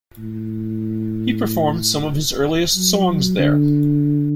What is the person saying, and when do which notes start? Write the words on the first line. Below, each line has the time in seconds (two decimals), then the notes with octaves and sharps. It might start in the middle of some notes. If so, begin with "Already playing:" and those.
He performed some of his earliest songs there.
0.18 A2
2.75 F#3
3.39 D3